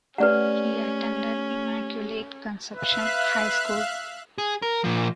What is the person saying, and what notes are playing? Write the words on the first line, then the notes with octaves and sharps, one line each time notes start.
He attended Immaculate Conception High School.
A3 C#4 G4 B4 D5 F#5
B4 E5 F5 F#6
G#4
A#4
A#2 F3